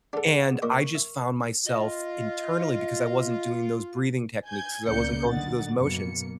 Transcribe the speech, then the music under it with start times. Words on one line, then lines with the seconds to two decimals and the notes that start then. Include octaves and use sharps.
and I just found myself internally because I wasn't doing those breathing techniques, because I wasn't going through those motions.
0.13 D4 G#4 A4 F#5
0.62 A#2 A#4 D#5 C#6 D6
0.95 E5
1.66 F4 D#5
4.46 G#5 G6 G#6
4.86 C#2 C#3 A#3 D5 G6 C#7
5.28 A1 F#2 D3 D#4 F#5 A6
5.78 F#2 B2 A#3 C#7